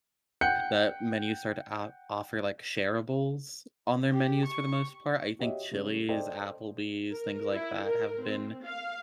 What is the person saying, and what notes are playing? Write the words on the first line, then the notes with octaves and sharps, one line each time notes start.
that menu started, uh, offer, like, shareables on their menus for the most part. I think Chili's, Applebee's, things like that have been
F#5 G5 F#6 G6 C#7
G4
C#6
F#4 G4 C#5 D#5 E5
C#3 G3 G#3 C#4
A4 C5 D5 D#5 G5
A#4
E4
A#4
C4
F5